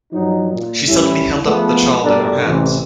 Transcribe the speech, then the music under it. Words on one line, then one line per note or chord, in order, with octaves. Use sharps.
She suddenly held up the child in her hands.
G2 F3 F#3 D#4
A#2
A2 G3 C#4 E4
F3 G#3 A3 B3
G2 B2 G3 D4 A4 A#4
A1 C3 E3